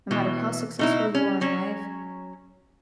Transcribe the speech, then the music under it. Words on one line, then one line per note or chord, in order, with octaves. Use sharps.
no matter how successful you are in life,
B2 E3
B2 D#4 E4
C#4
F#3 C#4